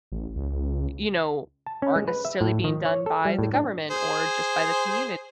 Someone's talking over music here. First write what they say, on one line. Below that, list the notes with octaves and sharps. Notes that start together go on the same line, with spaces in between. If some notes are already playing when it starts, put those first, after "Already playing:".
you know, aren't necessarily being done by the government, or just by the community.
A1
C#2
A5
C#4
G#3
B4
E5
A2
D#3
C#5
A4
G3
A2
D4
G#4 C5